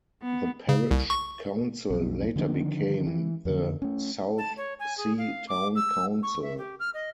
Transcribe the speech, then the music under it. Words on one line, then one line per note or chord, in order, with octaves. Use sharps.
The Parish Council later became the Southsea Town Council.
B3
C#3
C2
C#6
B1 F2
D3 D#3 F3 D4
E3
F2 D3
A3 C#4
A5
C#5
G#5
G#4
F5
D6
E6
C#6
E5
G4
F6
D#5